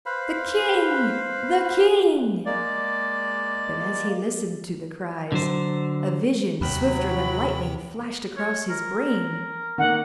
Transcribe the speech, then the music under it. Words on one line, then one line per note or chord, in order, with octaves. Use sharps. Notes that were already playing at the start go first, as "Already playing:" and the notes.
'The king! the king!' but as he listened to the cries, a vision, swifter than lightning, flashed across his brain.
B4 C5 F5 B5
G#3 A#3 D5
D3 F#3 C5
D#2 C3 F#3 G5 B5
C#5
A#4
D#3 A#3 F#5